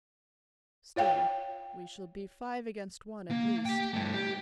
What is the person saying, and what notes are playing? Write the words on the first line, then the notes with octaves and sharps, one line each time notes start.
Still, we shall be five against one at least.
F4 C#5 F5 G5
A#3
G4 G5
G2 A3
G4